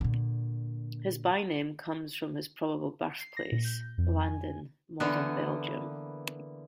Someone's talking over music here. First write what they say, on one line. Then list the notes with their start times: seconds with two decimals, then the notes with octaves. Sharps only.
His byname comes from his probable birthplace: Landen, modern Belgium.
0.01 A#2 D3
3.20 C7
3.37 A#6
3.52 A#2
3.64 G6
3.98 F2
4.20 G#5
5.00 D3 E3 A#3 B3